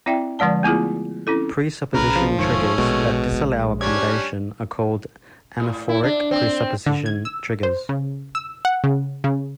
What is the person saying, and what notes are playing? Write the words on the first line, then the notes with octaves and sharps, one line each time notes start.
Presupposition triggers that disallow accommodation are called anaphoric presupposition triggers.
C4 E4 D5 E5 G5
D3 F3 G#3 D5 A5
A3 B3 E4 F4 G#4
C4 C#4 E4 A4
B1 C#3 A#4 B4
F3
E1 G#2 D#3 A3 C#4
A#1 B2 G#3
G3 C#4 D4 G#6
A2
E4
D4
C4
D3
G#6
E6
C5
C#3
E6
F#5
C#3
C#3